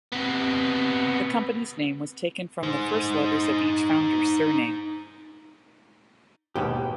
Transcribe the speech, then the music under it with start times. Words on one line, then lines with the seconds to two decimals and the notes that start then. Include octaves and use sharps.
The company's name was taken from the first letters of each founder's surname.
0.13 C3 B3
2.63 D#4 C5
6.56 D#2 G#2 B2 G4